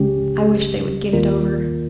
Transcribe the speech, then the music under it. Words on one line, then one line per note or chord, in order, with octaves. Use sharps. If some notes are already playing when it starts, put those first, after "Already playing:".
I wish they would get it over!
Already playing: C#2 C#3 G#3 C#4 G4
D#2 D#3 A#3 F4 A#4